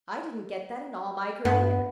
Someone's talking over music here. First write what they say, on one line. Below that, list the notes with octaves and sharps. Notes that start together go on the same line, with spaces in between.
"I didn't get that in all my career."
G2 B3